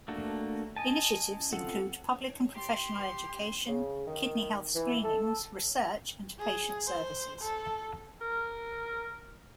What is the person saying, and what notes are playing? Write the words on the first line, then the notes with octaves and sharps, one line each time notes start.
Initiatives include public and professional education, kidney health screenings, research, and patient services.
A3 A#3 D4 F#4
D#5 G#5 A5
C4 F4 A4 F#5
G4 C6
C#3
D#3
E3
A4
G#4
C5
A4
A#4